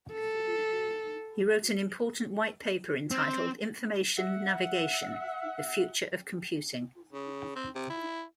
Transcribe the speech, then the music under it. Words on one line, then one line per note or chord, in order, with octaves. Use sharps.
He wrote an important white paper entitled "Information Navigation: The Future of Computing".
A4
C4
E5 F#5
C#3
C4
C3
E4